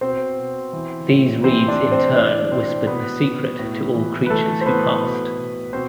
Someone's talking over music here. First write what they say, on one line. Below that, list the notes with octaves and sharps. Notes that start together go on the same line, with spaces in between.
These reeds in turn whispered the secret to all creatures who passed.
B2 C4 C5
B2
E3
A2
E3 C4 C5
D4 D5
E3
C4 C5
A2 D4 D5
A2 C4 C5
B2 B3 B4
B2
A2
E3
B4
E3 A3 A4
C5
A2 B3 B4
B2
B2
B2 C4 C5